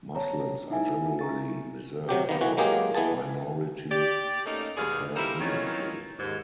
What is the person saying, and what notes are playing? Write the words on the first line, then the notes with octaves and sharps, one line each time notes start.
Muslims are generally reserved for minority affairs ministry.
C#5 A5 A#5
D#4 E4 E5 G#5
A#5 C#6 A6
C3 F#3 G4
D#3 A#3 B3 D#4
E3 F#4
F#3 G#3 A#3 G4 G#4
E3 B3 G#4 A5
G4 D5
A3 A#3 C#4 D#4
D#2 B2 B3 G#4 D5 F5
G3 A#3 D#4 E4 A4 C5
D#3 E3 F#3 C#4 D#4 F4
D#2 G#2